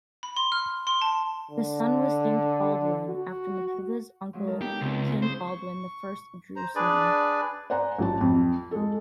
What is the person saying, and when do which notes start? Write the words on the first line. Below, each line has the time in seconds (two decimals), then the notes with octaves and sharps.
The son was named Baldwin, after Matilda's uncle, King Baldwin the First of Jerusalem.
0.23 B5
0.37 C6
0.52 F6
0.87 C6
1.02 A5
1.51 D3
3.09 F#4
4.33 F3 F#3 G#3
4.47 D#4 A4 A#4
4.61 B3 D#4 E4 G4
4.81 C#2 C4 D#4
5.05 G#3 C4 F4
5.22 C#4 E4 G#4 C5
5.46 C#6
6.56 C5 A#5
6.75 D4 G#4 B4 D5
7.70 C5 D5 F#5 G#5 A#5
7.98 A1 F#3 A5
8.21 F2
8.71 G#3 A4